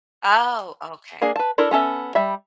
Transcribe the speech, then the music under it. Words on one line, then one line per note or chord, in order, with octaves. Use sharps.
Oh, okay.
A#3 D4 G#4
B4 A5
D4 E4 A4 A#4
B3 C#4 A4 E5
G3 E5 B5